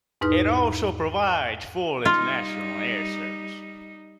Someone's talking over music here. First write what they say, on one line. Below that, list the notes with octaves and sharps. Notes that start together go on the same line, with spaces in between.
It also provides full international air service.
E2 G#2 D#4 B4 D#6 F6
G3 D#4 F4